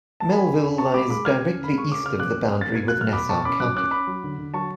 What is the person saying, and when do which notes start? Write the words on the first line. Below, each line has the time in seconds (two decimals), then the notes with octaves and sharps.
Melville lies directly east of the boundary with Nassau County.
0.20 A5
0.32 G#3 G#5 B5
0.47 C#3
0.64 C#3
0.78 C#3 A5 C#6
0.94 G#3 B5 D6
1.10 G#3 B5 D6
1.25 C#4 F6 G#6
1.42 C#4
1.57 C#3
1.64 B5
1.72 G#3
1.78 C#6
1.88 C#4 D6
2.03 C#3 F6
2.20 B2 D6 F#6
2.35 C#4
2.51 C#4
2.61 A6
2.67 B2
2.75 G#6
2.82 B2
2.88 F#6
2.98 F#3 F6
3.13 B2 B5 D6
3.29 B2 A5 C#6
3.45 C#4 B5 D6
3.60 F#3 D6 F#6
3.75 C#4 D6 F#6
3.91 C#4 B5 D6
4.07 F#3
4.24 D3
4.38 D3
4.54 F#3 A5 C#6